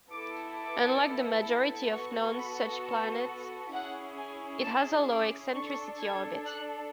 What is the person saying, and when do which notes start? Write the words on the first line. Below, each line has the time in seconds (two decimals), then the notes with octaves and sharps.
Unlike the majority of known such planets, it has a low-eccentricity orbit.
0.11 B3 E4 A4 D6
0.56 D6
1.91 B3 F#4 A4 C#6
2.38 B5
2.83 A5
3.73 C#4 E4 G#4 F#5
4.19 G#5
4.64 A5
5.09 D6
5.55 D4 A4 C#6
6.00 G#6
6.46 F#6